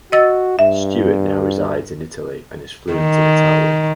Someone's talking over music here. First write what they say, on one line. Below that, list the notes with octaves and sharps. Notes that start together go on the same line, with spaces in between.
Stewart now resides in Italy, and is fluent in Italian.
F#4 D#5 E6 A6
G2 E5
D#3